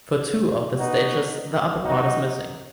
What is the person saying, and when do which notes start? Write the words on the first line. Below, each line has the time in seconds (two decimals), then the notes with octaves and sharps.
For two of the statues the upper part is missing.
0.78 B2 B3 D#4 F#4
1.81 B2 F#3 D#4 F#4